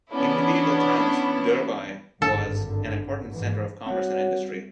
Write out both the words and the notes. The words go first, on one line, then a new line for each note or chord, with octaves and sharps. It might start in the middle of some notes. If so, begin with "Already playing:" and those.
In medieval times Durbuy was an important centre of commerce and industry.
E3 B3 C#4 D4 E4
G#1 G2 D3 A4
G#2 E3 F3
G3 C4 F#4 C#5 F#5